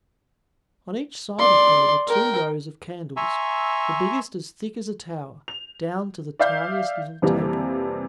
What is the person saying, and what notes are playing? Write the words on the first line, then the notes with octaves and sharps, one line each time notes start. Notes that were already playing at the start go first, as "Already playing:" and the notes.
On each side of her were two rows of candles, the biggest as thick as a tower, down to the tiniest little taper.
D5 C6
A#4 G5
E5 G#5 A#5 C6 C#6 E6
F7
D5 E5 F5 G6
F2 C3 E3 G3 A#3